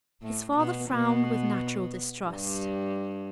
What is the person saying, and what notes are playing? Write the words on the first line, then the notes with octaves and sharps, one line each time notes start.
His father frowned with natural distrust.
A2 A3
B2 B3
B2 B3
G2 G3